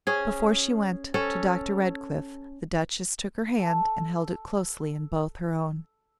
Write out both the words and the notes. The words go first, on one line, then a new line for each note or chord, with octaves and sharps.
Before she went to Dr. Redcliff the Duchess took her hand and held it closely in both her own.
C#4 G#4
C#4 A4
A4 A5